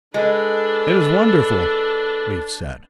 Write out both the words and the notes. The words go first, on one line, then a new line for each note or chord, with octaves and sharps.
"It is wonderful," Leif said.
G#3 D4 A4 B4